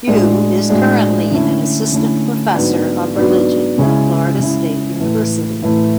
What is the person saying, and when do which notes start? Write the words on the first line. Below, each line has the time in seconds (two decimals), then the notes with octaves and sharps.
Yu is currently an Assistant Professor of Religion at Florida State University.
0.07 A2 G#3 D4 F#4
0.69 A2 G#3 D4 F#4
1.31 D3 A3 C#4 E4
1.92 D3 A3 C#4 E4
2.54 G#2 F#3 B3 D4 F#4
3.15 G#2 F#3 B3 D4 F#4
3.78 C#3 G#3 C#4 E4
4.39 C#3 G#3 C#4 E4
5.00 A2 E3 A3 E4
5.62 A2 E3 A3 E4